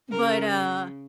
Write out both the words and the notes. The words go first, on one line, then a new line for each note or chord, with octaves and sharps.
But, uh
C#3 A#4